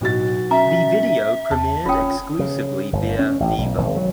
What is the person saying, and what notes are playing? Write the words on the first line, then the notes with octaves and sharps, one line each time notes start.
The video premiered exclusively via Vevo.
B1 A2 F#4 A6
C#4 E5 A#5
E2 A5
F#1 C#4 F4 C#5 G5 D#6
C#3
G1
C#4
A1
B1
G#1
F#3